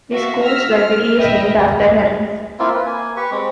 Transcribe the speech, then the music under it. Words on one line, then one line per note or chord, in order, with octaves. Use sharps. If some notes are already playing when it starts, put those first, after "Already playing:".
The school's library is named after her.
F#4 E5 F5
E6 F6 A#6 B6
F6
B4 D#5 E5 G5
A#3 C4 E4 F4
B4
A#3 G#5
G4 B4 C#6
G#3 C4